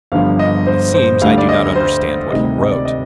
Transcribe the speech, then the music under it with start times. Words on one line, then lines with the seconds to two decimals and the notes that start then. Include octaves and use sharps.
But it seems I do not understand what he wrote.
0.12 G1 G2 D3 F3 F5
0.39 D#5
0.66 C5
0.94 C5
1.21 D2 D3 G3 F5
1.38 D5
1.49 D#5
1.76 C5
2.30 D2 C3 D#3 G3 D#5
2.58 D#5
2.72 D5
2.85 D#5